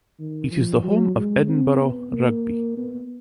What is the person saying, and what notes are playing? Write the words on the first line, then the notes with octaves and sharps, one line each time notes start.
It is the home of Edinburgh Rugby.
D#3
F3
F#3
G#3
C4
B3
A#3
B3